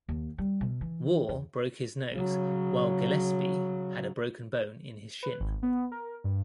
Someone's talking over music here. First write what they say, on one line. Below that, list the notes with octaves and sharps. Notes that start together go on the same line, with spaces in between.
Waugh broke his nose while Gillespie had a broken bone in his shin.
D#2
G3
B2
E3
E2
C#3 F#3
B4
G#1
B3
A#4
G2